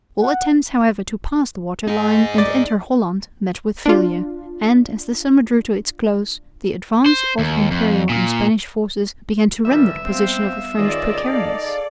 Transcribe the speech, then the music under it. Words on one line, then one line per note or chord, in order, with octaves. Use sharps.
All attempts, however, to pass the water-line and enter Holland met with failure; and, as the summer drew to its close, the advance of Imperial and Spanish forces began to render the position of the French precarious.
F#5
D#4 G#4
D5 A6
D4 F4
C5
D#2
F2
A#2
A#2 D3 F#3 G3 B4 E5
G2 B3 C4 F5
C#2 D#3 F4 G#4 D5 D#5
D#4 G#4 A4 D#5 F5